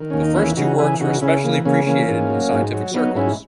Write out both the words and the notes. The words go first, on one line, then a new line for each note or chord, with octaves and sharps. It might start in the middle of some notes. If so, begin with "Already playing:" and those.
The first two works were especially appreciated in scientific circles.
Already playing: D#3
D#2 C#4
D#4
E3 C#4 E4
C#3 D#4 F#4
E3 E4 G#4
C#3 D#4 F#4
C#3 C#4 E4
E3 A#3
C#3 A#3 C#4
E3 A#3 C#4
G#2
F#3
G#2
F#3
F#3 B3 D#4
G#2 C#4 E4